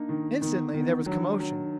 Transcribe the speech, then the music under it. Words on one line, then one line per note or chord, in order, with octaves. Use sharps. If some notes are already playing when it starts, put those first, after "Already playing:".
Instantly there was commotion.
Already playing: A#3 D4 D#4
D#3
D#3 B3
D#3 B3
F#3 D4
F#3